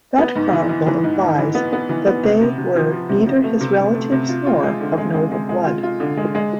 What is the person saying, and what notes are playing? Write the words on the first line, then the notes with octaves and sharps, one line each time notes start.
That chronicle implies that they were neither his relatives nor of noble blood.
B3
G#2
E3
E3
E3
G#2
G#2
E3
B3
B3
E3
B3
C3
C3
C3
F3
F3
C3
C3
A3
C3
C3
A3
C3
F4
F4
G#3
D3
G#3
G#3
G#3
G#3
F4
F4
D3
G#3
G#3